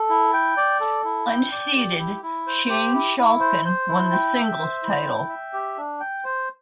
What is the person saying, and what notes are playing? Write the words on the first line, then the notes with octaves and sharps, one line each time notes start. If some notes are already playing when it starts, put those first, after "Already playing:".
Unseeded Sjeng Schalken won the singles title.
Already playing: A4
E4
G5
D5
A4
E4
G5
D5
G4
E4
E4
C5
G4
E4
E4
C5
C5
E4
G5
E5
C5
E4
G5
E5
G4
D4
G5
C5